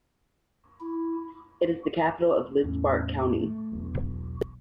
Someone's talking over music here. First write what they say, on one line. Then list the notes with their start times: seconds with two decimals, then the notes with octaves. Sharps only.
It is the capital of Lidzbark County.
0.80 E4
2.64 E2 A2 C#4
3.40 A3
3.72 E1 B1